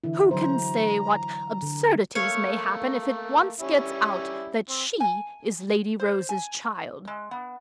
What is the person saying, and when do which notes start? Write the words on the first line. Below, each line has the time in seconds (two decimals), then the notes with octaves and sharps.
Who can say what absurdities may happen if it once gets out that she is Lady Rose's child?
0.04 D3 E3 E4
0.31 D3 F#3 C5 A#5
1.62 D3
2.15 A3 A#3 C#5 F5
3.60 G3 C#4 E4
4.70 C4
5.00 G#5
6.00 C5
6.29 G#5
7.07 G#3
7.31 B3